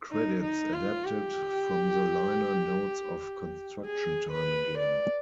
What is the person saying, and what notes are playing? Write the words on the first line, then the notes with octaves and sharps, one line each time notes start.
Credits adapted from the liner notes of "Construction Time Again".
D#4
D#4
F4
G4
G#4
B4
D5